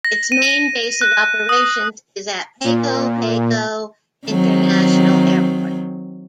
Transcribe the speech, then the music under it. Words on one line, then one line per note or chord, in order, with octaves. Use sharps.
Its main base of operations is at Pago Pago International Airport.
A#6
D#7
F#6
D#6
A#2
D#3 F#3 C4